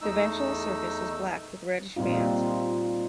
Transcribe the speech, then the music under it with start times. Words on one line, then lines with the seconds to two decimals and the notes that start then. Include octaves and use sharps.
The ventral surface was black with reddish bands.
0.01 E2 A3 D#4 E6
1.96 A#2 G3 C4 D#4 F4